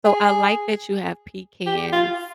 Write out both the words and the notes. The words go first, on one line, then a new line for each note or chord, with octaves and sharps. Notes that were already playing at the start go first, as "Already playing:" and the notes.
So, I like that you have pecans,
G#4
G4
F4